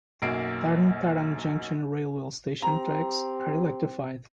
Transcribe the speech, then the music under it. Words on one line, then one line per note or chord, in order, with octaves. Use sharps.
Tarn Taran Junction railway station tracks are electrified.
B1 F#2 F#3 A#3 C7 D7
C4 G4 A#5